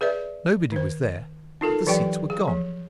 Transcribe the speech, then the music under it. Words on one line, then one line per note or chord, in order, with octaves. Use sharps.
Nobody was there, but the seats were gone!
G#4 B4 D5 E5
D#3 C5
D#4 F4 A4 A#4
E3 F#3 G4 D5 G5
G#4
F3